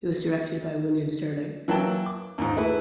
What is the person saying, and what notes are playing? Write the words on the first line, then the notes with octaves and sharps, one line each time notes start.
It was directed by William Sterling.
E3 F#3 A#3 G5 A5
D6
D#2 G#2
A3 E4 G#4 B4